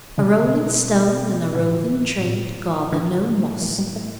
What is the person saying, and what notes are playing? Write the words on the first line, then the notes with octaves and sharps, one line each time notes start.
A rolling stone and a roving trade gather no moss.
B2 D3
A2 D3
A2
D3
E3
G3
A3